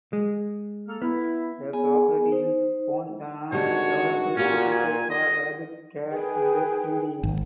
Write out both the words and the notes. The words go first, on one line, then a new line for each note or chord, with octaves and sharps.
The property in Fontana developed procedures for rabbit care and breeding.
G#3
A#3 A4 F6
B3 E4
B3 G#4 G#5
D#4 C5
G#1 D3 G3 D#4 F#4 C#5
A#2 C#4 F4 G4
G#5
D#5
G#4 B4 G5
G#1